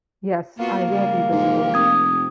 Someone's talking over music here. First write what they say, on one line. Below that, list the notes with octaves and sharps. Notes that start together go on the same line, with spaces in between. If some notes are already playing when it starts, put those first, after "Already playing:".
Yes, I will be visible.
A#3 B3 F4 F#4
C#3 G3 G#3
G#2 C3 F3 G4
F1 D#6 G#6